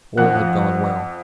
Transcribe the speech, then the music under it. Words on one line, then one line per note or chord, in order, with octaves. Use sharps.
All had gone well.
F2 F3 F#5 F#6